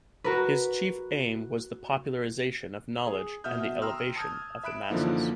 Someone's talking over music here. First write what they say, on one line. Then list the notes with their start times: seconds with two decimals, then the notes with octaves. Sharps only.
His chief aim was the popularization of knowledge and the elevation of the masses.
0.24 F#4 A#4 B4
3.07 G#4
3.44 B2 E5 F#5 D#6 F6 G6
3.82 G5 A#5 C6 E6 F6
4.16 A5 D#6 F6 G6 G#6
4.63 E5 B5 F#6 D7 E7
4.90 F#2 D3 E3 F3 A#3 D#4